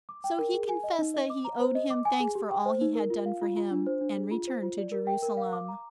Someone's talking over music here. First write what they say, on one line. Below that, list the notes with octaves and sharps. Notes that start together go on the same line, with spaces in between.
So he confessed that he owed him thanks for all he had done for him, and returned to Jerusalem.
D6
G5
A#4
G#4
G#5
D#5
D#4
D#5
D6
A#5
C5
D#5
D6
G#5
G#4
G4
G5
C5
D#4
A#4
F4
F5
F4
F4
D4
C5
D4
G#4
F4
C5
F4
D5
A#4
G5
A#4
F5
D6
A#5